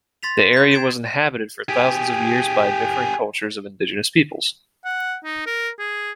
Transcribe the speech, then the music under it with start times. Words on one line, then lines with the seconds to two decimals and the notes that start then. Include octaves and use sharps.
The area was inhabited for thousands of years by differing cultures of indigenous peoples.
0.23 C6 A6 B6 F7
0.53 G6 B6
0.71 G#6 C7 D7 E7
1.69 G4 G#4
4.85 F#5
5.24 D#4
5.46 A#4
5.79 G#4